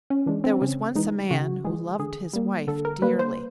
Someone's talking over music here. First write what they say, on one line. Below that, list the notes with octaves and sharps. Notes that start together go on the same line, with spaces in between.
There was once a man who loved his wife dearly.
C#4
E3 G#3 D4
C4
C#3 C#4
E3 G#3 D#4
C#3 F#4
E3 G#3 G#4
D3 G#4
G3 A#3
D3 A4
A#4
G3 A#3 B4
C5